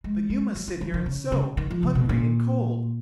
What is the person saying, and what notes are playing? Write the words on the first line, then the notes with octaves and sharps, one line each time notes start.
But you must sit here and sew, hungry and cold.
G#3
G#3
F#3
F3
F3
D#3
C#3
C#3
D#3
F3
C#3
B2
A#2